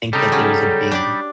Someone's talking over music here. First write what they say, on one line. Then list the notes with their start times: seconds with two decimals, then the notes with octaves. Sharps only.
Think that there's a big
0.13 C#3 G3 D#4 A4
0.32 F#3 C#4
0.91 D4 G4 D5